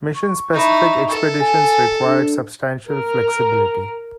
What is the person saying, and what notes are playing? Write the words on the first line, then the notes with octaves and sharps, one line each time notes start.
Mission-specific expeditions required substantial flexibility.
C#6
D#4 E4
A4
G#5
D4
A#4